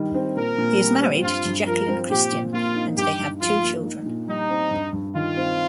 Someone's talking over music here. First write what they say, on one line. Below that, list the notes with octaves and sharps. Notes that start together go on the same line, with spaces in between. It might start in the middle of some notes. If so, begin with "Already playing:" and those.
He is married to Jacqueline Christian and they have two children.
Already playing: D#3 G3 D#4
C4
A#2 A#4
A#2
G3
C4
G2 F4
G2
F3 A#4
C4
A#2 G4
A#2
A#3 F4
D#4
G2 G4
G2
F3 F4
A#3
D#4
A#2
G3 D#4
C4
G2
G2
D#3 F4
C4